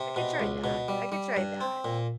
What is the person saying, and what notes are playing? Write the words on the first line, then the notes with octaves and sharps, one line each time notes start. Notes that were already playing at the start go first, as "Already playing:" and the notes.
I could try that, I could try that.
Already playing: C3
B2
C#2
B2
G3
G3
G2
C4
A#2